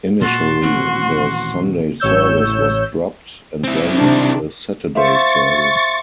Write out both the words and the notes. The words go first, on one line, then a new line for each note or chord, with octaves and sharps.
Initially, the Sunday service was dropped, and then the Saturday service.
A#2 F#4 A5 C6
D#1 A1 C4 F#4
A1 C#5 E6 G6
C4 E4
C3 D#3 D4
C5 E5 F5 C#6 A6